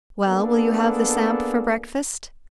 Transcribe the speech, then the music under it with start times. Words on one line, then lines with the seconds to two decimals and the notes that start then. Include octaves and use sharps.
"Well, will you have the samp for breakfast?"
0.27 A#3 B3 D4 G#4 A4